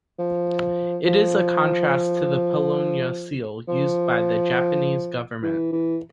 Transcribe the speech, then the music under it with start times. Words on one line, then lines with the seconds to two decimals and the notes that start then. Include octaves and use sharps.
It is a contrast to the Paulownia Seal used by the Japanese government.
0.19 F3
1.06 F3
3.68 F3
5.43 E3
5.72 E3